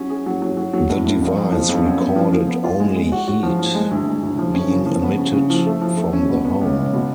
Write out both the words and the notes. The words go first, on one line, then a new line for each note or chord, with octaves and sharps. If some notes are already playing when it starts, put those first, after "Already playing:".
The device recorded only heat being emitted from the home.
Already playing: F#3 C#4
G#4
F#3
F#3
F#3
F#3
A2
A2
F2
F2
F3
F2
F#2
B3
F3
F3
B3
F4
G#3
G#3
F#4
F#4
F3
F3
G#3
D2
G#3
D2
F3
C#4
C#3
F3
B3
C#3
C#3
F3
A3
F3
A3
C#4
B2
B3
C#2
C#2
B2